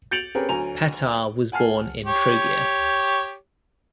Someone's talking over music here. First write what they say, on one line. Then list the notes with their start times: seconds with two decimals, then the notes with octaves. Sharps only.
Petar was born in Trogir.
0.11 G6 A6 C#7 D7 F7 F#7
0.35 C4 C#4 G4 G#4 A#4 B4
0.49 D2 F#3 G#5 A#5 F7
1.52 F#5 G#5 A5 F6 C7
2.06 G4 C#5